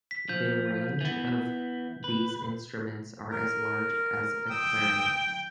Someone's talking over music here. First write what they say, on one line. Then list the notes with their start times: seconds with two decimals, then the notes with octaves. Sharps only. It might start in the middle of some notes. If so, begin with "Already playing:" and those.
They range of these instruments are as large as a clarinet.
0.11 B6
0.29 F3 G6
1.01 E3 B3
2.04 B4
3.31 A#4
4.50 G5 D#6 E6